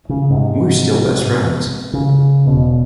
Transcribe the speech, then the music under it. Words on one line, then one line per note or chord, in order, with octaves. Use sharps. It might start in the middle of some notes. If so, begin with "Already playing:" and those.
We're still best friends.
C#3
G#2 C3
C#3
E1 B2